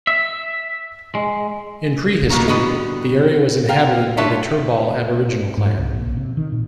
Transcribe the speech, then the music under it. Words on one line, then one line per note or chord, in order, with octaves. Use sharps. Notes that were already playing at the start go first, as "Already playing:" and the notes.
In prehistory, the area was inhabited by the Turrbal Aboriginal clan.
E5
G#3
B2 A#3 F#4 A#4
D3 G3 B3 F#4 A4 D#5
A#4 F5 G5
G3 D4 F4 C#5 E5 A5
G#2
C2
A#1
C3
D#3
A#2